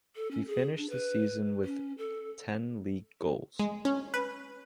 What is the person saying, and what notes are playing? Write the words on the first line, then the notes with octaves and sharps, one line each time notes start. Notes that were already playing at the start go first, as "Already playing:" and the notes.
He finished the season with ten league goals.
A4
C#4
G#4
D4
B4
C#4
A4
G#3
C#4
B4